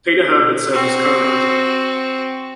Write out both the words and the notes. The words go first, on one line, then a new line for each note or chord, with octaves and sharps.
Peter Herbert served as co-writer.
C4 F#4